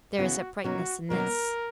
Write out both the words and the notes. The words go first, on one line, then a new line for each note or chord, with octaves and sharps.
There is uprightness in this.
C#3 E3 B3 E4 F#4
B2 F#3 A#3 C#4 F#4
B2 F#3 A#3 C#4 A#4